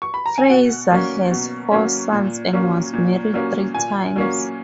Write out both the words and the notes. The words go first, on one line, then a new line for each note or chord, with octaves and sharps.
Frazier has four sons and was married three times.
C#6
B5
A#5
G#5
B2 F#5
F#3 A#3 C#4
B2
F#3 A#3 C#4
A#2
F#3 A#3 C#4
A#2
F#3 A#3 C#4
A#2 G#5
F#3 A#3 C#4